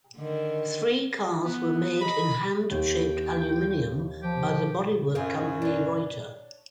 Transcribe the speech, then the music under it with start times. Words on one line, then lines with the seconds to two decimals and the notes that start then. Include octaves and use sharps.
Three cars were made in hand shaped aluminium by the bodywork company Reutter.
0.17 D3 D#3
1.44 B3
2.01 D#5 A#5 B5
2.71 D#2 G5
4.22 F3 G4
5.15 F#2 C4 F4 G#4
5.62 D4 C#5